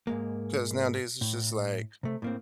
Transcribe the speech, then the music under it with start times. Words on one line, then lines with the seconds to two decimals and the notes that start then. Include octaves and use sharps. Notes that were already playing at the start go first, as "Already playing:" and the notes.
‘cause nowadays, it's just like,
0.07 G#2 G#3 A#3
1.21 A2
2.03 C3 A3
2.22 A2 A#3 C4